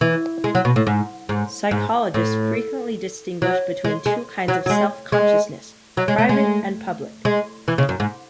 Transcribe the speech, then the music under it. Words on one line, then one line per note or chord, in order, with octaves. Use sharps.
Psychologists frequently distinguish between two kinds of self-consciousness, private and public.
E3
G#3
F#3
B2
A2
G#2
G#2
G#2
A2
F#3
G#3
G#3
F#3
F#3
G#3
G#3
F#3
G#3
A3
G#3
G#3
E3
C#3
F#2
G#2